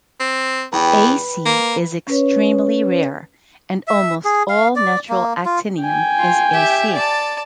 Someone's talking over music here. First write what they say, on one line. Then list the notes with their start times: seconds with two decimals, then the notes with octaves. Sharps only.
Ac is extremely rare, and almost all natural actinium is Ac.
0.20 C4
0.73 E2 B4 G5 B5
1.46 A#3
2.07 C#4 B4 C#5
3.88 E5
4.25 G#4
4.49 F5
4.76 D5
5.09 A#3
5.45 F4
5.81 G5 G#5
6.18 F4
6.52 G4 E5
6.94 D5 A5